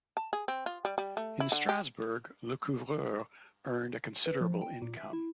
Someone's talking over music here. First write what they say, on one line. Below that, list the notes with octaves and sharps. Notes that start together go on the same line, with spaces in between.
In Strasbourg, Lecouvreur earned a considerable income.
A5
G#4
C4
F4
G3
G3
A3
E4
D3
G4
B4
F3
G5
A#2
E5
E4